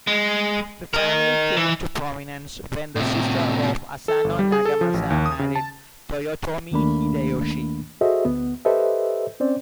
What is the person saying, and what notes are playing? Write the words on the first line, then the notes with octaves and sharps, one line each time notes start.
The family came to prominence when the sister of Asano Nagamasa married Toyotomi Hideyoshi.
G#3
A#4 D#5
E3
A2 C3
A4
G1
G3
G#4
A4
F3
A1
D#2
D#6
C#3
A5
D#2 D#3 A3 A#3 D4 B5
F#4 G#4 A4 C5 D#5 E5
D2 B3
G4 A4 B4 C5 D#5 E5
C4 C#4 C5 D5